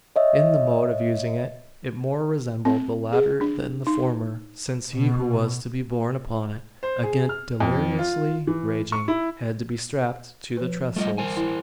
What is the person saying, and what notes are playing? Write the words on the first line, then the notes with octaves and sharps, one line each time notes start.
In the mode of using it, it more resembled the latter than the former: since he who was to be borne upon it, again deliriously raging, had to be strapped to the trestles!
C#5 D#5 E5
C4
G#4
D4
D#4
B2
C5
G#4
F6
F2
F4
E3
C#6
E4
F3 B4
G3 A3 F4 D#5
A#4 C5 G#5
E4